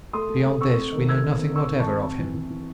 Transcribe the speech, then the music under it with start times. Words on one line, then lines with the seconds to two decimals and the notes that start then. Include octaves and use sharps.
Beyond this we know nothing whatever of him.
0.13 A3 C6 D#6
0.29 A3
0.45 A3
0.61 C4 C#6 E6
0.76 A3
0.92 D#3
1.09 A3 E6 G#6
1.23 D#3
1.39 C4
1.55 D#3 C#6 E6
1.71 D#3
1.79 A5 C#6
1.86 C4
2.02 C4
2.18 E3
2.34 E3
2.50 E3